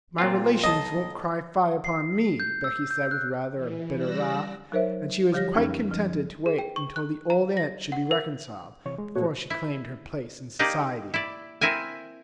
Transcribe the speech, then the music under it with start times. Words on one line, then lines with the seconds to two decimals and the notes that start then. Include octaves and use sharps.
"My relations won't cry fie upon me," Becky said, with rather a bitter laugh; and she was quite contented to wait until the old aunt should be reconciled, before she claimed her place in society.
0.18 A#2 C4 F4
0.64 B1 D#5 A5
1.85 C7
2.40 G6
2.64 E6
2.91 G6
3.11 F#6
3.54 E3
3.97 G3 D5 E6 F#6 A#6
4.72 F#3 D#4 A#4 C5 C#5 E5
5.32 D3 F3 G3 G4 C#5 A#6
5.54 F#2 C#4 D#4 G5 F#6 G#6
5.91 F3
6.46 G#4
6.59 G5
6.76 C#6
6.96 F#6
7.30 A#5
7.57 A#6
7.92 F#5
8.11 A#4
8.86 C3 E3 C#5
8.98 G#3
9.15 A#2 A3 B3 F#4 C#5
9.50 E4
10.59 A#3 D#4 G4 D5
11.14 E4 D5
11.61 C4 E4 A#4 G#5